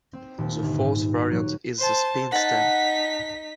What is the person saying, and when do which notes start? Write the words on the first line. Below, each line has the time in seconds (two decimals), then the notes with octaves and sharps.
The fourth variant is the Spin Stamp.
0.13 C4
0.38 D#1
0.62 G1
0.78 G#2
1.31 F#3
1.79 C5 A5
2.32 D#4 F#5 A5 B6